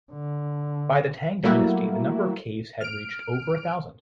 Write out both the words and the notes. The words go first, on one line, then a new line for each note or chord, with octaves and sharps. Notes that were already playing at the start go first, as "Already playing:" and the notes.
By the Tang Dynasty, the number of caves had reached over a thousand.
D3
F#3 G3 A3 A#3 E4 F#4
F6 D7